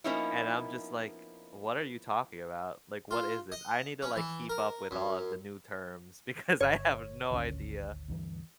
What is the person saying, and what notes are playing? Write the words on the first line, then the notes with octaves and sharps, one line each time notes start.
and I'm just, like, "What are you talking about? Like, what is this?" I need to, like, keep up with all of the new terms because I have no idea.
F3 A#3 B3 C#4 D#4 E4
F4
D#5
C#4
E3
A#4
F#2
G1 C#5
G#1 D2 C#4
D2 G2 E3